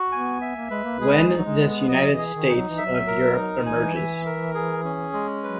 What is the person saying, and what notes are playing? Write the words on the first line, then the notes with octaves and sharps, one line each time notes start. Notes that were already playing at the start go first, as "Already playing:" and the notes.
When this United States of Europe emerges...
Already playing: F#4
B3 G#5
E5
A#3
G#3 B4
A#3
G#3 G#4
D#4
F#3
G#3
B3
F#3 D#5
E3
G#4
D#3
D#4
F#3
E3
F#3 E5
A#4
D#4
E3 G#5
E5
A#4
G#4
C#4
G#3
F#3 B4